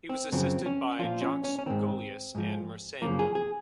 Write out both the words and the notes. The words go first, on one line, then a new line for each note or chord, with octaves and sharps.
He was assisted by Jacques Golius and Mersenne.
C4
F#2 C#3 F3 C4
C#4
A#2 F3 F4
C#4
C#4
C#4
G#2 D#3 C4
G#2 F3
F#2 C#3 F3 A#3
G#4
G#4